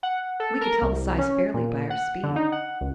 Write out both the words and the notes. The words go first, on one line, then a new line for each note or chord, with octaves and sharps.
We could tell the size fairly by our speed.
F#5
A4
A#4
C2
C#4
A#2
F#5
D3
D#4
F#5
C#2